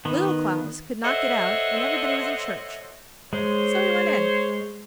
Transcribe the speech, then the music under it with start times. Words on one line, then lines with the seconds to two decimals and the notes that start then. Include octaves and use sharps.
Little Klaus could not get out, and everybody was in church; so he went in.
0.05 D#3 B3
1.04 A4 C5 C#5 D#5 E5 F#5
3.33 G#3 C5 C#5